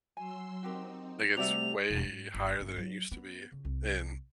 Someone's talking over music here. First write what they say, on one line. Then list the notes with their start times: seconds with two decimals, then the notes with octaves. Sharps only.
Like it’s way higher than it used to be, and
0.17 F#3 G#5 C6 E6
0.63 C4 D#4 F#4 G4 A#4
1.37 C3 G3 A3 F#4 D5 E5 F7
1.90 E1
2.03 G#2
2.34 G1
2.60 G1
2.77 F#3
3.11 B3
3.52 C#3
3.65 C2